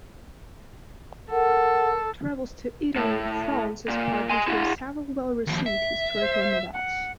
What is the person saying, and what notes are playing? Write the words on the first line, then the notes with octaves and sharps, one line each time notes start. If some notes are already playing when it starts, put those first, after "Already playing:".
Travels to Italy and France inspired him to write several well-received historical novels.
A4 A#4 F#5
A2
A#2
G#5 C6
E4 F#4
D#2 F3
E5
C5
F#5